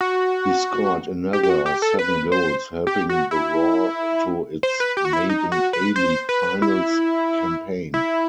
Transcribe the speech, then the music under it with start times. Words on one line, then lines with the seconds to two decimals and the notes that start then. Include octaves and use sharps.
He scored another seven goals helping the Roar onto its maiden A-League Finals campaign.
0.01 F#4
1.33 G4
1.43 G4
1.49 F#4
1.66 G4
1.82 A4
1.99 B4
2.32 C5
2.87 G4
3.09 F#4
3.31 E4
4.63 C5
4.80 B4
4.97 G4
5.05 F#4
5.13 E4
5.29 D#4
5.52 F#4
5.73 B4
5.96 C5
6.29 B4
6.62 E4
7.94 E4